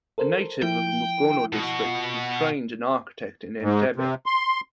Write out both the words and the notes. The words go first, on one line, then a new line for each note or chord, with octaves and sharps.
A native of Mukono District he trained an architect in Entebbe.
A4 A#4 C5
F3 E4 G5
B2 F#4
F4
G#2
C3
C6